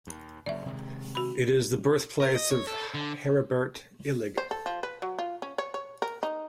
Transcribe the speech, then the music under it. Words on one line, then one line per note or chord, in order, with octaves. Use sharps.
It is the birthplace of Heribert Illig.
D#2
F#1 F#2 D5 E5
C3 D#3 G#3
F#4 B5
A#4
D#5
C#5
A4
D3
C5
A4
F3
B4
F#3
F4
C#4
C#5
C#5
A#4
D#4